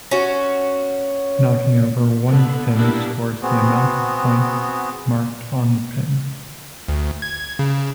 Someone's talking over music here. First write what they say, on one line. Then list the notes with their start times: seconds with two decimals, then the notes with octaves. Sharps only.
Knocking over one pin scores the amount of points marked on the pin.
0.11 C#4 F#4
2.28 D3 B3
2.75 G3 A#3 B3 D4 E4
3.42 B3 C4 F#4 G#4
6.88 D2
7.22 G#6
7.59 C#3